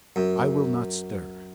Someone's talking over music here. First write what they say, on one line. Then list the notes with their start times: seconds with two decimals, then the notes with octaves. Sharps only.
I will not stir.
0.16 F#2